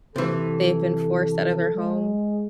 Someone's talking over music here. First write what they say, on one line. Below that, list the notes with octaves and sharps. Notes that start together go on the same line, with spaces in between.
they've been forced out of their home.
C3 E3 A4
G#3